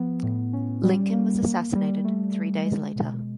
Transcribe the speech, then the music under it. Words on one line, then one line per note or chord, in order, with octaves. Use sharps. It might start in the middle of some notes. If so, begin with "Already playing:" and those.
Lincoln was assassinated three days later.
Already playing: F3 B3
A2
C#4
G3
A#3
A#3
G3
A3
A3
G#3
B2